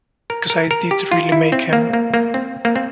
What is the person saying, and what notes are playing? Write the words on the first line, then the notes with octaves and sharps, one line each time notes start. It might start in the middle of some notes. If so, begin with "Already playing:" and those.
Because I did really make him.
A#4
A#4
A#4
G4
F4
E4
C4
A#3
A#3
A#3
C4
A#3
C4